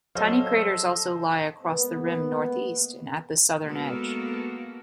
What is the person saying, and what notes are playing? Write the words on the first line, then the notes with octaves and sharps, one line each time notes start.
Tiny craters also lie across the rim northeast and at the southern edge.
F#3 G#4 A4 C5 C#5 D#5 F5
G#3 A#3 B3
G#3 A#3 B3 F#4 A4 A#4